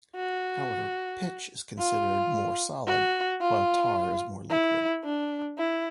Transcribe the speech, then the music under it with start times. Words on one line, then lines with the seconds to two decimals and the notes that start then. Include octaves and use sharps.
However, pitch is considered more solid, while tar is more liquid.
0.16 F#4
1.78 F4
2.87 F#4
3.41 F4
4.50 E4
5.04 D4
5.58 E4